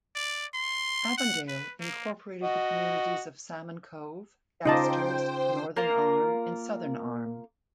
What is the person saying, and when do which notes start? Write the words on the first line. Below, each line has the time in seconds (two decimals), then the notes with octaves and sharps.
Avondale incorporated the communities of Salmon Cove, Gasters, Northern Arm, and Southern Arm.
0.15 D5
0.54 C6
1.18 F#5
1.48 B4
1.80 A#3
2.43 F#4 D#5
4.65 C#3 D#4 F4 C5 D#5 G5 A5 D6
5.77 A#3 F4 A#4